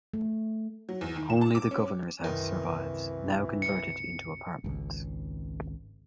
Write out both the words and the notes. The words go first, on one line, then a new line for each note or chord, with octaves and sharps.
Only the governor's house survives, now converted into apartments.
A3
F#3
E2
D#3
E7
A5
D6
C#4
C2 F#2 D#3 E3
C#7
G#1 C#2